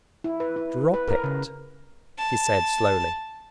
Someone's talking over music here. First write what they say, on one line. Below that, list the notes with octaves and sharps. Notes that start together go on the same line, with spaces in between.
"Drop it?" he said slowly ...
E4
B4
E4
B4
A#4
C#3
A5